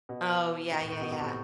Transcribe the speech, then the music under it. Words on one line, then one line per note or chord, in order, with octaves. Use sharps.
Oh yeah, yeah, yeah.
B2
B2
A2
A2
B2
B2
A2 C3